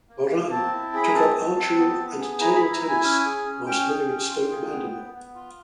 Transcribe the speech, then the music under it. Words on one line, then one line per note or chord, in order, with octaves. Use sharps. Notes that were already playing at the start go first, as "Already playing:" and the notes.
Horan took up archery and table tennis while living at Stoke Mandeville.
A#3
A#3
C4 A5
E4
G#4 B5
A#5
C4 A5
C4
C4
B3
B3
G#4
E4 A#5
E4 B5
A#5
E4
G#5
C#4 G#5
G#4
C#4
C#4 G5
G#4
C#4
F4
G#4
B3
B3
B3
F4